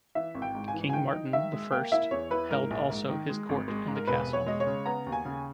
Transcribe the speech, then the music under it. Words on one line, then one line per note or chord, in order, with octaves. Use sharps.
King Martin the First held also his court in the castle.
E3 E5
G#1
G5
G#2
G#5
E3
G#5
D#3 G5
D#4
D#3 E5
G#3
A#3 G5
E4 E5
E2 C#5
E4 B4
G#2 A#4
A#1
G#2
D#3
G#3
G#1
G#3
G#2
A#4
E1 B4
E1
C#5
G#3 D#5
C#5
C#3
B3 A#5
D#2
G#5
C#3